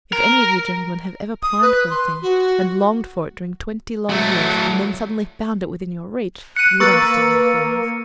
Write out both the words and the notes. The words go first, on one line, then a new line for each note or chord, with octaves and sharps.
If any of you gentlemen have ever pined for a thing, and longed for it during twenty long years, and then suddenly found it within your reach, you would understand my feelings.
A#4
D#6
B4
C6
F#4
F#3 A3
F#6 C#7 D#7
A#3 B4 C#6 E6 A6